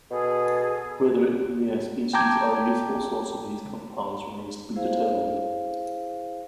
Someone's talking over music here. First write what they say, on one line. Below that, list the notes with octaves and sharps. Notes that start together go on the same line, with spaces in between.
Whether "Ipomoea" species are a useful source of these compounds remains to be determined.
B2 G#4 A4
G5 A5 A#5 D6 G6 G#6
E4 G#4 C5 F5